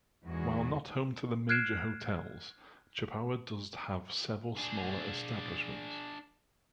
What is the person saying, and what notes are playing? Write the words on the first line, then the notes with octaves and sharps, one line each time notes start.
While not home to the major hotels, Chippawa does have several smaller establishments.
E2 G#2 F#4 G#4
F6 F#6 G#6 C7 D7 E7
D4 G#4